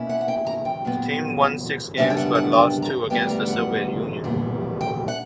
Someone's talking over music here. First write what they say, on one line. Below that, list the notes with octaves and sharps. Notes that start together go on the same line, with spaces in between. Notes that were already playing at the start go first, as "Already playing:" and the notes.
The team won six games, but lost two against the Soviet Union.
Already playing: B2 A#3 C#4 E4
F#5
F#5
G5
A#5
G5
A#2 F#3 B3
F#2 C#3 G3 B3 D4 E5
G5
F#5
F#5
G5
A#5
D2 C#3 G3 B3 G5
A#5
F#5
A#2 G3 B3
G5
F#5